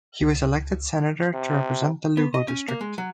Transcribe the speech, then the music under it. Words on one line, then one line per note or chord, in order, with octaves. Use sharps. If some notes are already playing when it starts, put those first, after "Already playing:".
He was elected senator to represent the Lugo district.
C#2
C3
B3
D#5
C#4
A#3
G#3
F#3